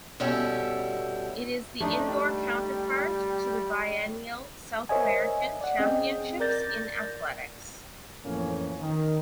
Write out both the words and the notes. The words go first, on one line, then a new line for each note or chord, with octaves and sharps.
It is the indoor counterpart to the biennial South American Championships in Athletics.
G2 B2 C#4 E4 G4 A4
A3 D4 D#4
G3
A#4 C5 C#5 D#5 E5 G#5
D5 F#5
C4 C#4 G#4 D#5 G5
A#4 D5 G6 A6 A#6
F2 A2 E3 F3 A#3 C#4
D#3